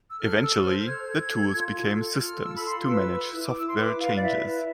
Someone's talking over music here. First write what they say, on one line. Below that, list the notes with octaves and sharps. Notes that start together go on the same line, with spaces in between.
Eventually, the tools became systems to manage software changes.
E6
A4 F6
A4 E6
C5 F6
F6
A4 G#6
A4
A4
F4
A4
A4
F4 F6
A4 E6
B5
F4 C6
B4 E6
B4
E4
D6
E4 E6
C6
B4 D6
B4 F5
D5
E4 E5
B4
E5